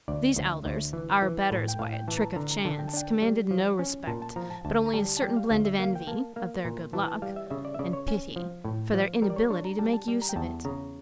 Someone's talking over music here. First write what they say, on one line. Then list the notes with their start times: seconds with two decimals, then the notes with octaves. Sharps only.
These elders, our betters by a trick of chance, commanded no respect, but only a certain blend of envy--of their good luck--and pity--for their inability to make use of it.
0.08 D2 D5
0.36 D2
0.65 D2
0.93 E3
1.22 E3
1.51 A2
1.68 G5
1.79 A2 F5
1.93 G5
2.08 E3 A5
2.17 A#5
2.22 A5
2.36 D3 A#5
2.51 A#5
2.65 D3 A5
2.79 G5
2.88 A5
2.94 D4 G5
3.22 G3
3.51 F3
3.79 C#4
4.07 A#2 A5
4.22 A5
4.36 F3 A#5
4.50 A5
4.65 D2 A5
4.86 A#5
4.94 G3 A5
5.17 A5
5.22 G3 G5
5.36 F5
5.50 D2 F5
5.65 E5
5.79 A#3 F5
5.95 G5
6.07 A#3 A5
6.36 A#3 F5
6.65 A#2
6.93 E3 A5
7.08 A5
7.22 G3 F5
7.36 E5
7.50 C#3 E5
7.65 D5
7.74 E5
7.79 C#3 D5
7.93 C#5
8.08 C#4
8.36 F3
8.65 A2
8.93 F3
9.22 G3 A#4
9.30 D5
9.36 C#5
9.50 D4 C#5
9.65 A#5
9.79 G3 A5
9.93 A5
10.08 G3
10.22 A#5
10.29 G5
10.36 E2 A5
10.65 C#3 A#5